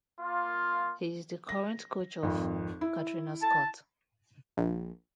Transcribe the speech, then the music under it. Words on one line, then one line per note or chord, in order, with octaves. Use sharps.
He is the current coach of Katrina Scott.
A#3 F4
A#6
G#1 F2
E4
A5
A#1